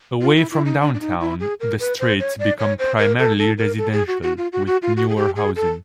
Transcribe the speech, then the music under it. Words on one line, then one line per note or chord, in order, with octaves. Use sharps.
Away from downtown, the streets become primarily residential, with newer housing.
F4
E4
E4
D#4
D4
D4
D#4
E4
G#4
A#4
B4
C5
C#5
D5
C#5
C5
A#4
A4
A4
A#4
A4
G#4
F#4
F#4
F4
F#4
F#4
F4
F#4
G#4
G4
G#4
A4